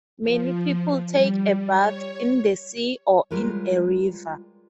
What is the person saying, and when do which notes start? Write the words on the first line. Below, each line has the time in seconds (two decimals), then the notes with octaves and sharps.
Many people take a bath in the sea or in a river.
0.22 F3
1.13 G3
1.77 C#5
3.31 G3 G#3 F4 A#4 B4 C#5